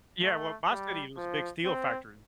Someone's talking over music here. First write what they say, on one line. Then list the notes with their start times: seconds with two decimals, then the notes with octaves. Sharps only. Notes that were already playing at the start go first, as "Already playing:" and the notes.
Yeah, well, my city is a big steel factory.
0.23 A3
0.69 G3
1.17 F3
1.64 C4